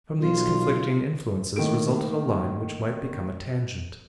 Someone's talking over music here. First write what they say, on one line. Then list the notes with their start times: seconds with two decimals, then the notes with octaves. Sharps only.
From these conflicting influences resulted a line which might become a tangent.
0.19 B1 F4
1.56 A2 D#3 A#3 D7